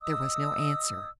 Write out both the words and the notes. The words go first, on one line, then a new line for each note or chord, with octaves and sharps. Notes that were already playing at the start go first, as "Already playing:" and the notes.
There was no answer.
D#5 D#6 E6